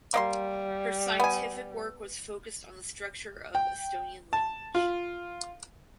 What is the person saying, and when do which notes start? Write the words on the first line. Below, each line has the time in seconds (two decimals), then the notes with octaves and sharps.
Her scientific work was focused on the structure of Estonian language.
0.14 G3 A#3 D#5 C6
1.20 B3 G#5
3.55 G5
4.33 A5
4.75 F4